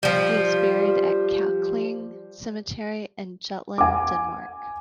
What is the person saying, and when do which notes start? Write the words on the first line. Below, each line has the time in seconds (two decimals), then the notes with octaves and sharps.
He is buried at Klakring Cemetery in Jutland, Denmark.
0.03 F3 G3
3.78 G#5 D6